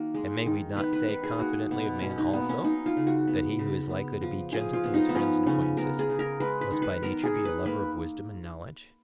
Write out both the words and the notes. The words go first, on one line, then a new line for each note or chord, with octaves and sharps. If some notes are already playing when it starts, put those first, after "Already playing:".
And may we not say confidently of man also, that he who is likely to be gentle to his friends and acquaintances, must by nature be a lover of wisdom and knowledge?
Already playing: D#3 A#3 F#4
G#3
D#3
B3 B4
B4
D#3 B4
G#4
A#3 F#4
B2 B3
B2 C#4
D#4
A#3 B3
C#4
F#3 D#4
F4
C#3
F#4
B3
C#3
B3
F3
F3 G#4
F4
B3
D#4
B3
F3 C#4
C#3 C#4
B3 A#4
G#4
C#3
A#4
G#3 B4
B4
D#3
B4
B3 A#4
G#4
D#3
B4
A#3 B4